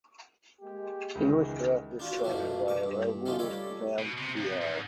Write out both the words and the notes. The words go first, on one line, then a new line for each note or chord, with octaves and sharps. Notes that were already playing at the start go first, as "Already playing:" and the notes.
English Rap is sung by Rahul Nambiar.
G#3 A#3 G4
C#2 D#3 E3
D4 F4 F#4
F#2 B2 A3 A#3 D4
C#6 D6
G2
A3 C#4 D#4 F4 G4
G3 A4 C#5 D5
B2
C3
F2
G#2